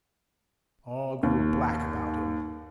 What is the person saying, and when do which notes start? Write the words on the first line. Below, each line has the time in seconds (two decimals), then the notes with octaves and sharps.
All grew black about him.
1.23 D#2